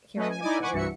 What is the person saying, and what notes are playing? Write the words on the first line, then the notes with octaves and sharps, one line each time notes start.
hearing about your
A3 C#4 B4 D#5
G#5
D#4 E4 D5 D#5 G#5 D6
F#5 G#5 B5 C#6 D6
C2 G2 E3 F#4 E5 C#7